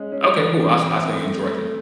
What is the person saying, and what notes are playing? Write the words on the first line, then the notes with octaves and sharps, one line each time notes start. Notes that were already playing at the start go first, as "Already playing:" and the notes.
okay, cool I I stay in Georgia.
Already playing: G#3 C#4
C#4
E3
C4
C4
A3
A3